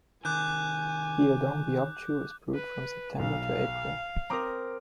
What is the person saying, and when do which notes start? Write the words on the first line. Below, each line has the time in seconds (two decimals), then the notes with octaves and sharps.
Gyodong-beopju is brewed from September to April.
0.25 C3 D#3 G#5 D6 F#6 G6
2.55 B4
3.19 B1 F5
4.30 C4 A#4 A#5 D6 D#6